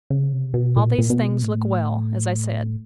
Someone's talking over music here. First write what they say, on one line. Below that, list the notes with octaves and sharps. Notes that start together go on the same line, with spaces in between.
All these things look well, as I said.
C#3
C3
B2
A#2
A#2
B2
A2